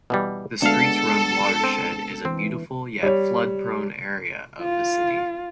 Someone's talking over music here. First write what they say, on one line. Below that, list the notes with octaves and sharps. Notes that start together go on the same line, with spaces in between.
The Streets Run watershed is a beautiful yet flood-prone area of the city.
B2 E3 G3
D2 G#3 B3 D4 A4 F5
C4
E3 C4
G3 C#5
F4